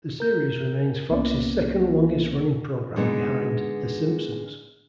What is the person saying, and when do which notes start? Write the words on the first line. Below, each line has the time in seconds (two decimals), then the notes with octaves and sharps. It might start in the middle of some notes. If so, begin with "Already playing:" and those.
The series remains Fox's second-longest-running program, behind "The Simpsons".
0.20 A#4 G6
1.10 C2 A#3 B3 C#4 D5
2.96 D3 G#3 B3 D#4 F4